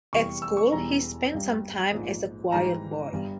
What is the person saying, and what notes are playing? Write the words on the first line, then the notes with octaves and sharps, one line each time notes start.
At school he spent some time as a choir boy.
F1 E2 E3 G3 C#6
E6
C#6
E1 E2 E3 G3 A#5
G#1 G2 G3
A#1 G#2 F3
G#1 G#2 E3 G3 A#5
G1 G2 G3